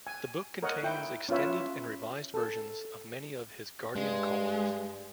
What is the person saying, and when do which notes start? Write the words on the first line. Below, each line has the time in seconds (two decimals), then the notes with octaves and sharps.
The book contains extended and revised versions of many of his "Guardian" columns.
0.07 G#5
0.63 A#4 C#5 D#5 F#5
0.83 E4 G5
1.29 C#4 E4 F4 B4 C#5 E5
2.34 A4
3.96 G2 G#3